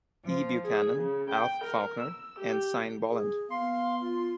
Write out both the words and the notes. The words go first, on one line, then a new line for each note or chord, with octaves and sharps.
E Buchanan, Alf Faulkner and Sine Boland.
F3
G#4
C#3
G5
A#4
E6
G4
G#4
B3 F5 C6
F4